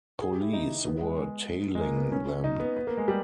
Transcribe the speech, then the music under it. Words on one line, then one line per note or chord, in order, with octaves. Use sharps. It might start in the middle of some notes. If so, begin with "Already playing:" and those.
Police were tailing them.
G#4
G4
E4
D#4
B3
G#3
G#3
G#3
A#3
B3
C#4
D#4
B3
B3
A#3
G#3
G3